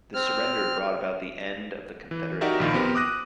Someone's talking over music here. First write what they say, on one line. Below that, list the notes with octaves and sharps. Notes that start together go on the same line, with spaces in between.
This surrender brought about the end of the Confederate navy.
C4 F6
E3
D#4 F#4 G4 A#4 D5 E5
A#1 D#3 F4
B3 C4 G4 A#4
D6 D#6 F#6 A#6 D#7